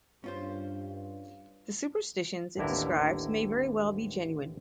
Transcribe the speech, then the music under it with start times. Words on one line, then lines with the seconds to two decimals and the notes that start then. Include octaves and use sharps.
The superstitions it describes may very well be genuine.
0.24 G2 C#4 F4 C5
2.57 A1 D#2 D3 E4 A#5